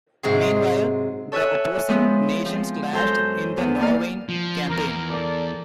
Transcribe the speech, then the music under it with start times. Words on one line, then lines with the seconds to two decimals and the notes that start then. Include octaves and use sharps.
Meanwhile, the opposing nations clashed in the Norwegian Campaign.
0.23 G#2 C3 F#3 C4 G#4
1.32 A4 C#5 E5 G#5 F#6
1.88 F3 G#3 B3 C#4 E4
2.45 F3 C4
2.93 F#2 A4 C5 A#5 G6
3.58 E2 B3
3.79 A#3 D5 F5
4.29 F3
4.70 E2 A#4
5.09 A4 A#4 D5